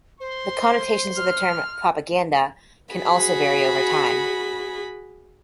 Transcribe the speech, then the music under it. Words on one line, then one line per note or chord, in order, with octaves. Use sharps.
The connotations of the term "propaganda" can also vary over time.
C5 C6
F6
F#4 G#4 B5